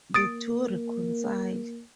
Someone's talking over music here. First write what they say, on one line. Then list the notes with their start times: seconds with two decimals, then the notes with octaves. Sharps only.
The two reconcile.
0.14 A#3 D#6 A6 D7